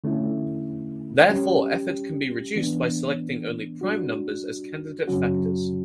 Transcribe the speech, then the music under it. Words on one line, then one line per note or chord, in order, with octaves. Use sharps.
Therefore, effort can be reduced by selecting only prime numbers as candidate factors.
D3 A3 C#4 E4
G3 C#4 G4
E3 B3 D4
G3 D4 F#4
F#2 C#3 F#3 C#4 F#4